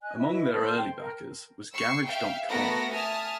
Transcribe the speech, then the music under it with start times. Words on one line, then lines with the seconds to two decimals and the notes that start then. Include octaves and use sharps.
Among their early backers was Garage dot com.
0.01 D#5 G#5 F#6
0.17 E4 B4 D#5 E5
0.52 A4 C5 A5 G6
0.78 G5 C6
0.96 A#4
1.74 C#6 E6 C7
2.06 E5 F5 G5
2.48 A3 B3 F#4 A#4 B5 A#6
2.92 E5 G#5 A5 D#6 F6